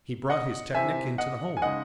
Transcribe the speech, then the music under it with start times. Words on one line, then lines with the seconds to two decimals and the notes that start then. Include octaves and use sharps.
He brought his technic into the home.
0.30 D#5 F#5
0.74 C3 E3 C4 E5 G#5
1.18 D#5 F#5
1.57 G#5
1.62 C#3 G#3 D#4 D#5 F#5